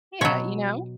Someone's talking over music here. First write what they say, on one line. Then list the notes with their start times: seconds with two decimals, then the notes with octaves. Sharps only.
Yeah, you know?
0.21 B2 F#3 C#5